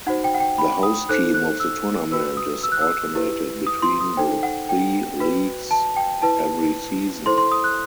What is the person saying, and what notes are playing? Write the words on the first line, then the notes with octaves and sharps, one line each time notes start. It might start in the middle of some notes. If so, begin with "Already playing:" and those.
The host team of the tournament is alternated between the three leagues every season.
D#4 F#4 C5 F#5
G5
F#5
G5
B5
D#6
D#4 A4 C5 F#6
F#6
E6
F#4 B4 E6
D#6
E6
F#6
E6
E4 G4 B4
D#6
C6
D#6
D#4 A4 C5 G5
F#5
G5
F#4 B4
A5
G5
E4 B4 A5
E4 A4 C5 C6
C6
D#6
F#6